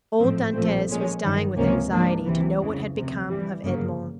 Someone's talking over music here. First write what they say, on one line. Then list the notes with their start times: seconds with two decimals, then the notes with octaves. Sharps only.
Old Dantes was dying with anxiety to know what had become of Edmond.
0.19 A1 G#2 F3 A3 C4
0.53 A#1 A#2 F3 A3 C4
0.88 A#2 F3 G#3 C#4
1.22 G1 F#2 D#3 F#3
1.57 C#2 C3 F3 A#3 C#4
1.90 G#2 F3 A#3 D4
2.24 C#2 C3 E3
2.60 F2 C#3 E3
2.94 D2 C3 F3
3.28 G2 E3 G3
3.62 G1 F#2 C#3 F#3 A#3